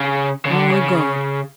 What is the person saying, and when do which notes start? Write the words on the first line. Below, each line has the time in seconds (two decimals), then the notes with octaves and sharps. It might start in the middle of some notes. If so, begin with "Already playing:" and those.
My God!
Already playing: C#3
0.45 C#3
0.51 D3
0.70 C#3